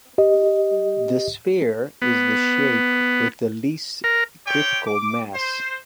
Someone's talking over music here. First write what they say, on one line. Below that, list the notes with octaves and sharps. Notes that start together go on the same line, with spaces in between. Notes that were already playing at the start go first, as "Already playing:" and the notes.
The sphere is the shape with the least critical mass.
G4 D#5
B3
A#4
C4 G4 C#5 G5
D6
C5